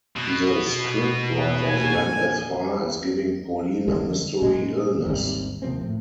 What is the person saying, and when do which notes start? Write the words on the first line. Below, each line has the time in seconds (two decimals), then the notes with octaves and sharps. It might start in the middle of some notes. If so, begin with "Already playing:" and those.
The scriptwriters went as far as giving Pauline a mystery illness.
0.16 B2
1.66 A#2 D3 G#5
3.88 D3 G3 G#3
4.42 A#2 G#3
5.06 G#1 D#2 C3 G3
5.62 C3 F3 A#3 C4
5.81 A2